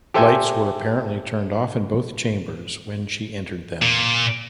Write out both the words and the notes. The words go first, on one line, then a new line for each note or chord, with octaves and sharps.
Lights were apparently turned off in both chambers when she entered them.
G4 A4 C5 E5 G5 G#5
A#2